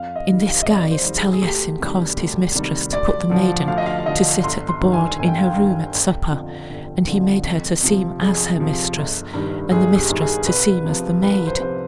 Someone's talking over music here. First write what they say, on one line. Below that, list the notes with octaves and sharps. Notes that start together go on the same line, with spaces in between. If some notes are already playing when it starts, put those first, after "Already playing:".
In this guise Taliesin caused his mistress to put the maiden to sit at the board in her room at supper; and he made her to seem as her mistress, and the mistress to seem as the maid.
Already playing: F2 F5
D#5
D#3 G3
F5
D#5
F2 D5
C5
D#3 G3
G#4
G#4
D2 G4
C3 D#3 G3
D2
C3 D#3 G3
D2 D5
D3 F3
D2 F5
D#5
F5
F5
D3 F3 D#5
G1 C6
C6
G2 D#3
G#5
G1 G#5
G5
F5
G5
G2 D#3
G1
F2 D3 F3
G1
F2 D3 F3
F2
C3 F3
F2 G#4
C3 F3
G1
G2 D#3 G3
G1 G#4
G4
G2 D#3 G3
G#4
C2 B4
C3 F3
C2 B4
C5
C3 F3 C5